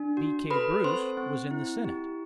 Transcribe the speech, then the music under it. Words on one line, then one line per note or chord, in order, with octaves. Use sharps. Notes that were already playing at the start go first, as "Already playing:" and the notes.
B.K. Bruce, was in the Senate.
Already playing: D4
F#4
A4 B4 B5
C4 C5 C6
C4
E4
G4